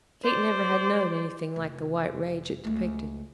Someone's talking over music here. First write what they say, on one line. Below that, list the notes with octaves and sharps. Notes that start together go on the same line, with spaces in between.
Kate never had known anything like the white rage it depicted.
C5 D5
F1
C#2 A3